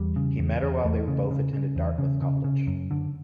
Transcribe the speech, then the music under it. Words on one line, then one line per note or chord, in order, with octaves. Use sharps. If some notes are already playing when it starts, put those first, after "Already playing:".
He met her while they both attended Dartmouth College.
Already playing: E2 G3
C#3
E2
E2
E2 A3
C#3
C#3
C#3
E2
C#3
C#3
C#3
F#2
D3